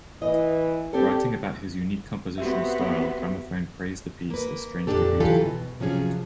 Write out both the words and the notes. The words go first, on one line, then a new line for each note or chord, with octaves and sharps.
Writing about his unique compositional style, Gramophone praised the piece as "strangely beautiful".
E3 D#5
C4 D4 G4 A4
B3 C4 F#4 G4 E5
A#3 B4
F2 A#2 C4 D4 G4 A4
E3 F#3 F4 G4 A4
B2
C3 F3 F#3 C#4 G#4